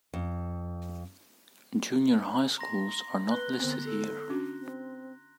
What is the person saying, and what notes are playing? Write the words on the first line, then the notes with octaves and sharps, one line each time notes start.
Junior High schools are not listed here.
F2
A#5 C6 A#6
B4 F#6 G7
D3 B3 C4
A4
C#4 D4 F#4
C4